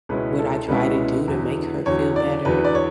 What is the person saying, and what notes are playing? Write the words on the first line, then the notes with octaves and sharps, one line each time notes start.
what I try to do to make her feel better,
C#2 B2 G#3 C#4 E4 B4
A4
C#2 B2 G#3 C#4 E4 B4
E2 D3 F#3
E2 D3 F#3 C#5
D5
E2 D3 F#3 B4
D5
C#5